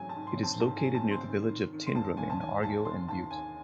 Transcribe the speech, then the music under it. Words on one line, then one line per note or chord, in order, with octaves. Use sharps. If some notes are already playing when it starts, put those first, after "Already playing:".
It is located near the village of Tyndrum in Argyll and Bute.
Already playing: G#2 F#3 A3 C4 G#5
A5
G#2
C6
C4
A5
G#2 A5
G#5
F#3
A5
C4 C6
D#3
D#3
D#3
C6
D#2 A5
D#2 G#5
A5
D#3 G#5
D#2 A5
D#3 C6
D#2 A5
D#2 G#5